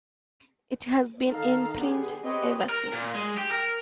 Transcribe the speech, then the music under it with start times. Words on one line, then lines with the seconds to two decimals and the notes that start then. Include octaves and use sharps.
It has been in print ever since.
1.28 D#3 A4 F5 A#5
1.78 D3 B3 G4 G#4
2.24 C4 G4 B4 C#5 D#5
2.69 A#4
2.93 A#2
3.15 G#3
3.38 G4
3.52 A#4